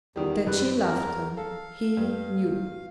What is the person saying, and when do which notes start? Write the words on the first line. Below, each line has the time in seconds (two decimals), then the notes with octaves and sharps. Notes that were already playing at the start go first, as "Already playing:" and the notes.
That she loved him, he knew.
0.16 E2 D#3 G3
0.47 F#2 G3 B4
0.83 E2 A#4 A#5
1.37 A4 F5
1.97 G2